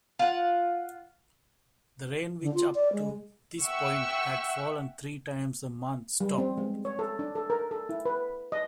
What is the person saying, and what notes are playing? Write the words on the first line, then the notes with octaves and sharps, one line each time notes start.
The rain which, up to this point, had fallen three times a month, stopped.
F4 F#5
D3
F4
D5
G#3
E5 F#5 G5 C#6 E6
G3
C4
G#3
C#5
A4
D4
A4
A#4
A4
E4
B4
D#5